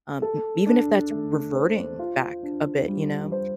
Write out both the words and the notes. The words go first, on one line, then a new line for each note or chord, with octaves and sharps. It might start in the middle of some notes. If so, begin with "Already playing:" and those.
um, n even if that's reverting back a bit, you know?
A4
D4
A3
C5
F4
D4
G3
C5